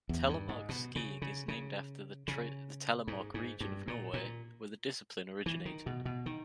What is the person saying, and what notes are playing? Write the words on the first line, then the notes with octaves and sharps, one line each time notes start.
Telemark skiing is named after the Telemark region of Norway, where the discipline originated.
E2
G2
G#2
B2
C#3
C#3
C#3
C#3
G#2
G#2
G2
A#2
A#2
E3
D#3
B2
B2
D#3